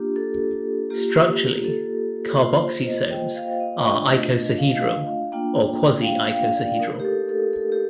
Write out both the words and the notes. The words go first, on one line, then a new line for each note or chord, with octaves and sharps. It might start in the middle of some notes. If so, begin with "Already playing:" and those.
Structurally, carboxysomes are icosahedral, or quasi-icosahedral.
Already playing: A#3 D4 F4 G4
A4
A#3 F4 G4
A4
A#3 F4 C5
C5
D#5
G5
D#5
F5
D#5
A3 D4 F4 D#5
F5
A#3 D4 F4 G5
F5
G5
F5
D5
A3 D#4 A#4
G4
A4
A4
A4
G4